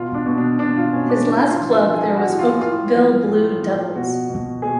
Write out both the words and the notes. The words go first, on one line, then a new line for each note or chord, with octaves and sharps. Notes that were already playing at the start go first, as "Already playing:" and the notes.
His last club there was Oakville Blue Devils.
Already playing: B2 F4
D4
B2
D4
B2 D4
F4
B2 C#4
D4
A2 D4
F4
F3
F4
A4
F3 G#4
F#4
A2
F4
A2 F4
F3
A2
F3
B2 F#4
B2
B2 G#4